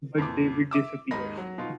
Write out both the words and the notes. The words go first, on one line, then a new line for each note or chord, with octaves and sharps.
But David disappears.
F2 A#2 E3 D6
E5 D6 E6
D#2 G#2 D#4 A#4 B5 A#6
F#3
B2 D#4 F4